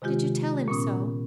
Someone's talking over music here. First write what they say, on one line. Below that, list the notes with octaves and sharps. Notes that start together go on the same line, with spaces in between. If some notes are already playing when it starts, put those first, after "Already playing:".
"Did you tell him so?"
C3 D#3 G#3 F4 G4
A#2 B3 C#4 D#6